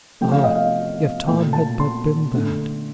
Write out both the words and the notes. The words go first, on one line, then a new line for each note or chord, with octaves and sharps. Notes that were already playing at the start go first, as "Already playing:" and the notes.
Ah! if Tom had but been that!
C3 F3 A3 G5
F5
D#5
F5
A#2 A3 G5
A5
C6
D3 A3